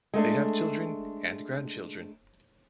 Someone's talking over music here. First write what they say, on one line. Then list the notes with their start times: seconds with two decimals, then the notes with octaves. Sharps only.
They have children and grandchildren.
0.14 G#3 A3 D4